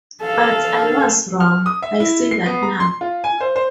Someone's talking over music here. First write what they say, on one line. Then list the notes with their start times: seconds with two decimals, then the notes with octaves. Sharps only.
But I was wrong — I see that now.
0.21 A4 F5
1.40 F6
1.66 D#6
1.82 E5
2.00 E4
2.31 C7
2.46 B3
2.63 A#5
2.80 C6
3.01 F4
3.24 G#5
3.41 C5
3.56 C5